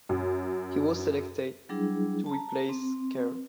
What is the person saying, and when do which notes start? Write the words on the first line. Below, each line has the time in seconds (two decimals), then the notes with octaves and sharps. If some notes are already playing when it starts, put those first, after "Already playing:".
He was selected to replace Kher.
0.09 F#2
1.69 F#3 G3 D4 E4 G#4
2.26 A5 A#5
2.69 C4